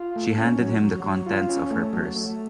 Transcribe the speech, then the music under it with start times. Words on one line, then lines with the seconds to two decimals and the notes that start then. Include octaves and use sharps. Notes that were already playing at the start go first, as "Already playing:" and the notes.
She handed him the contents of her purse.
Already playing: F4
0.16 A3
0.38 C#4
0.59 F#3
0.82 F#3
1.04 F#3
1.26 F4
1.49 C#4
1.71 A3
1.93 F#3
2.16 A3